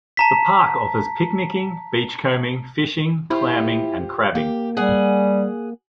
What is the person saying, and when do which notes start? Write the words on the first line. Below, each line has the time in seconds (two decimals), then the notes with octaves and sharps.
The park offers picnicking, beachcombing, fishing, clamming, and crabbing.
0.17 A5 A#5 B6
3.30 E4 F4 G4 C5
4.35 A#3 G4
4.77 G3 G#4 F#5 G#5